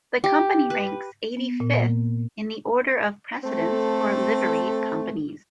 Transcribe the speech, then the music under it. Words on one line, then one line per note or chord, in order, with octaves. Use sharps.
The Company ranks eighty-fifth in the order of precedence for Livery Companies.
G4
B4
B3
A#2
A#3
A3 C4 A4